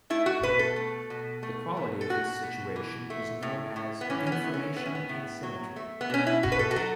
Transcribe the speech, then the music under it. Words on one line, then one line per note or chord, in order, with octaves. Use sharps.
The quality of this situation is known as 'information asymmetry'.
A3 E4
F#4
B2 B4
A4
A3
B2
A3
B2
A4
A3 F#4
B2
E3
A3
A2
A2
B3
E3 C#4
C#4
B3
A3
C#4
A2 B3
C#4
B3
A2
F#3
A3
B3
B2 C#4
E4
B2 F#4
B4
A4
F#4
F#3 A4